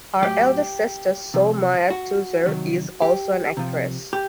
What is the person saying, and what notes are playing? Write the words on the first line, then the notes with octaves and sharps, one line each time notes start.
Her elder sister Soe Myat Thuzar is also an actress.
A2 F#3 G4
C3 F3
F#4
C3 D#3 F#3
G4
C3 F3
G4